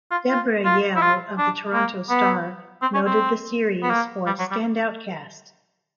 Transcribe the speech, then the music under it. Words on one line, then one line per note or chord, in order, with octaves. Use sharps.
Debra Yeo of the "Toronto Star" noted the series for its standout cast.
F4
F4
F4
E4
F4
D4
A#3
B3
C4
C#4
C4
B3
A#3
G3
F#3
G3